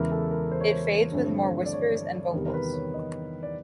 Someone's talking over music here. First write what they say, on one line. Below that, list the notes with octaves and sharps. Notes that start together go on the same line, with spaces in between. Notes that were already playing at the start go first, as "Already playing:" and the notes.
It fades with more whispers and vocals.
Already playing: E2 C#3 E3 G#3 A#4
A4
A#4
C5
C#5
C5
G2 D3 F3 A3 C4 C#5
C5
D5
C#5
E2 C3 D#3 G3 B3 A#4
A#4
B4
C#5
D#5
D5